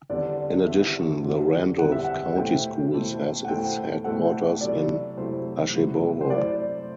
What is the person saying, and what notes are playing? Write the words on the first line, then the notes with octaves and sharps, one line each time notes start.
In addition the Randolph County Schools has its headquarters in Asheboro.
E2 D3 G3 C4 D5
E2 D3 G3 C4 E5
E2 D3 G3 C4
E2 D3 G3 C4 F#5
E5
F#5
B2 A3 E4 A4 C5 G5
B2 A3 E4 A4 C5
F#5
B2 A3 E4 A4 C5 G5
B2 A3 E4 A4 C5 F#5
C3 F#3 A3 E4 D5
C3 F#3 A3 E4 C5
C3 F#3 A3 E4
C5
C3 F#3 A3 E4 D5